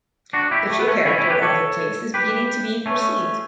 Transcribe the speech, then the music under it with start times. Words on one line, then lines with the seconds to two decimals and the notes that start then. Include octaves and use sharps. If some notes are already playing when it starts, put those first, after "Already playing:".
The true character of the place is beginning to be perceived.
0.33 D4 F#4
0.51 E4 G4
0.70 A3
0.79 B3
0.88 A3 C#4
1.06 C#4 E4
1.18 C#4 E4
1.30 G4 B4
1.42 A4 C#5
2.14 G4 B4
2.86 A3 C#4